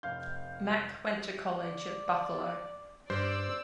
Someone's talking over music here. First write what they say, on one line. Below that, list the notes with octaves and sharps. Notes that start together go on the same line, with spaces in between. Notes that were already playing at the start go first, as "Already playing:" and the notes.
Mack went to college at Buffalo.
F1 F5 G6
D5
G2 C5 D5 E6